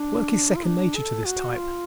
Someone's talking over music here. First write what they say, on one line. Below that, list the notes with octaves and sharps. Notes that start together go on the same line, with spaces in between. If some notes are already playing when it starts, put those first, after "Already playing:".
Work is second nature to this type.
Already playing: D4
F4
D4
A4
F#4
F4